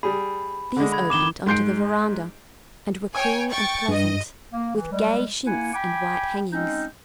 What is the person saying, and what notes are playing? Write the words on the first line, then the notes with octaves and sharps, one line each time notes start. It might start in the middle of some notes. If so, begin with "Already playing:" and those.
These opened on to the veranda and were cool and pleasant, with gay chintz and white hangings.
G3 G#4 B5
D3 G#3
B5 G#6
F2 D#3 D6 E7 G7
G#2 C6 G6 C7 D7
C#5 G5 G#5
G5 C#6 A6
G2 D#5
A#3
E3
G3 G#3
A#3 E4 F#5 G#5
G5 G#5 B5 D6
G#3 C4 C#4 D#4